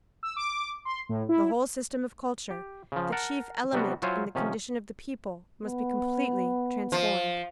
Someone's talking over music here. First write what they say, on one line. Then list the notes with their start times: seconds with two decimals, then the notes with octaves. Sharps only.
The whole system of culture, the chief element in the condition of the people, must be completely transformed.
0.23 E6
0.36 D6
0.85 C6
1.09 A2
1.29 E4
2.51 G4
2.92 C#3 F3
3.12 A#4 F#5 A5
3.73 C3 F#3 G3 B3 D4 F#4
4.02 F#3 E4 F4 C5 C#5 G#5
4.35 C3 D#3 F3 C#4
5.65 B3
6.92 F3